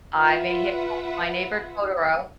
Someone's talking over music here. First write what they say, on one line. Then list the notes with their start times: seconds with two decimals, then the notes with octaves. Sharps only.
I made him watch My Neighbor Totoro.
0.17 F4 B4 E5 F#5